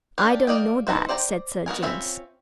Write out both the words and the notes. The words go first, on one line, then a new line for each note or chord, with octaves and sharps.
"I don't know that," said Sir James.
A#3 D4 G4
A#3 D5 D#5 G5
D#4 E4 B4 C5
C5 D5 G5 A5 A#5
B3 F#4 A#4 G#5
C4 C#4 F4 E5 B5